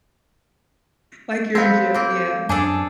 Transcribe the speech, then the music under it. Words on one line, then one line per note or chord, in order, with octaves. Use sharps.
Like you're in jail, yeah.
B3 C4 A4 F5
A#3 C4
F#2 D4 G#4 A4 G#5 A5